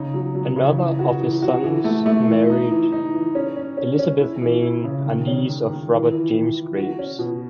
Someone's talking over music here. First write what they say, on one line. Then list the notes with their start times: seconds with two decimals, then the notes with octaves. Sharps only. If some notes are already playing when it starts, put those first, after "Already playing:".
Another of his sons married Elizabeth Mayne, a niece of Robert James Graves.
Already playing: C#3 D#4
0.14 F#3
0.35 F#3
0.56 C#3
0.77 E3
0.99 F#4
1.21 E3
1.42 F#4
1.64 E3
1.84 A3
2.06 A3
2.28 E3
2.50 D#4
2.71 E3
2.92 D#4
3.14 E3
3.35 C#4
3.56 C#4
3.77 C#4
3.99 C#4
4.20 E4
4.42 E3
4.62 E4
4.84 C#3
5.06 D#3
5.27 C#4
5.49 D#3
5.70 D#3
5.92 E3
6.12 E3
6.33 E3
6.55 E3
6.77 F#4
6.99 C#4
7.19 B2